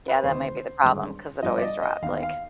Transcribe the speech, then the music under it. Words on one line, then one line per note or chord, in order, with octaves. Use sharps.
Yeah, that might be the problem, 'cause it always dropped, like
B4
D2 C3 D#3 C5
G#1 G2 D3 G#3
G2 F3 B3 D#5
D5
D#5
D#5
D#2 D#3 B3 F5
F5